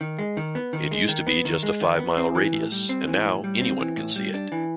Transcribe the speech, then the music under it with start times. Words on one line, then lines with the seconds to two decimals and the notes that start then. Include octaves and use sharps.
It used to be just a five-mile radius, and now anyone can see it.
0.01 D#3
0.19 G#3
0.37 D#3
0.55 B3
0.73 D#3
0.91 G#3
1.08 D#3
1.27 B3
1.45 D#3
1.63 G#3
1.81 D#3
1.99 B3
2.17 C4
2.35 E3
2.53 A2
2.72 G3
2.89 C4
3.07 E3
3.25 A2
3.44 G3
3.62 C4
3.80 E3
3.97 A2
4.16 G3
4.34 D4
4.52 E3